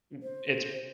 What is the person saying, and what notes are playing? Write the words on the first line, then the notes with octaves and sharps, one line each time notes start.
m it's
C5